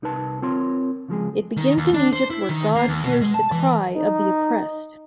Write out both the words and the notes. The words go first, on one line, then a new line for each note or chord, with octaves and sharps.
It begins in Egypt where God "hears the cry" of the oppressed.
C2 D#4 A#4 B4 A5
C4 F4 A#4 C#5 C6
C#3 F3 G#3 G#4
D#3
D#2
D4
C5
E4
D#3
A#3
D#2
B2
G#3
A5
E3
D#4